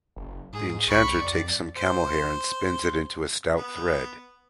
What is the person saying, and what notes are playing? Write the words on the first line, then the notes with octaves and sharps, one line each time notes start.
The enchanter takes some camel hair and spins it into a stout thread.
F#1
G#2 G#4
C2 B5 C#6
F2 D5
C5
B3